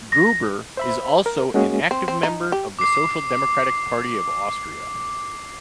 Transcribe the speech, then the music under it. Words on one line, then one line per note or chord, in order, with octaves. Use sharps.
Gruber is also an active member of the Social Democratic Party of Austria.
A#6
C5 E5 B5
A#4
G#3 A#3 C#4 F#4 G#4
C4
C4
D#4
G4
D6 C7